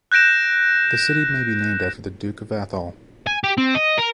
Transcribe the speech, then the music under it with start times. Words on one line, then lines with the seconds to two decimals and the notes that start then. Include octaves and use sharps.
The city may be named after the Duke of Atholl.
0.12 F#6 G6 A#6 D7 E7
3.27 G#5
3.44 G4
3.58 C4
3.75 D#5
3.98 A#4